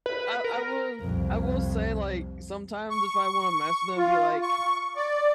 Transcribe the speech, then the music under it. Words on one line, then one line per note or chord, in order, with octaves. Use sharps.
I I will I will say, like, sometimes if I wanna mess with them, it'd be like,
B4
A#4
C2 F2
C#6
F4
C#6
D5